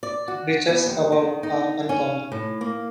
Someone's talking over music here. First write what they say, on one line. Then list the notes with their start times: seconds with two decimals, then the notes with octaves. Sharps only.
Temperatures above are uncommon.
0.03 D5
0.28 F#4
0.68 B3
0.86 D#2
1.12 D#3
1.43 D#4
1.89 C#4
2.32 A2
2.61 A#3